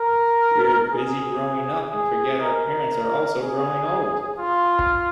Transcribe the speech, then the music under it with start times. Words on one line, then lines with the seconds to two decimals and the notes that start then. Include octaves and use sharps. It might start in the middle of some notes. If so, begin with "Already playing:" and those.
We're busy growing up and forget our parents are also growing old.
Already playing: A#4
0.91 G#4
1.91 G#4
2.41 A#4
3.41 G#4
4.39 F4